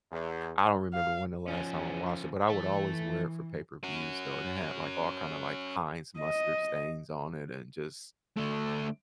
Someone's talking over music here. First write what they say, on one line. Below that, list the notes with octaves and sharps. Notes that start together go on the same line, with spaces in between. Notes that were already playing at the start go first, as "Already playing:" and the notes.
I don't remember when the last time I watched it but I would always wear it for pay-per-views, though, and it had, like, all kinda, like, Heinz mustard stains on it and just
E2
F5
F3 C#4
E3 A4 E5
C#4 F#4
D#5
D3 A3